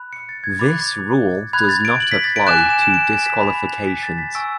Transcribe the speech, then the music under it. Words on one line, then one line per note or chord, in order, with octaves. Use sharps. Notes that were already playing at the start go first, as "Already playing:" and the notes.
This rule does not apply to disqualifications.
Already playing: B5 F#6
C#7
A6
G#6
B5 D6 F#6 A6
B5 F#6 G#6
A6
D7
F#7
B6
A6
D7
G#5 D6 F#6 E7
D7
E7
E7
D7
B6
B5 F#6
B6
A6
B6
G#5 C#6 E6 D7